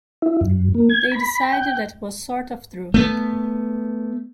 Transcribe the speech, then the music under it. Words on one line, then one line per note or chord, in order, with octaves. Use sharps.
They decided that it was sort of true.
E4
F#2
A#3
G#6
B5
G5
A3 B3